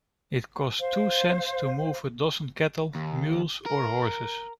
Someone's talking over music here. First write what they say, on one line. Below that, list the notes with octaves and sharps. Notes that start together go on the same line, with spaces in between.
It cost two cents to move a dozen cattle, mules or horses.
C5 F5
D#2
A#4